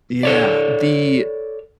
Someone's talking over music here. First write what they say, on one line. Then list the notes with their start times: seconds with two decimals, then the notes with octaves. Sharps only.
Yeah, the
0.23 A4 C#5 D5